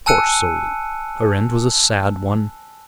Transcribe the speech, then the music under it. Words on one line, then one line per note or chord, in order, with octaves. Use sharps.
Poor soul! her end was a sad one.
G#5 A5 E6 F#6 C#7 D#7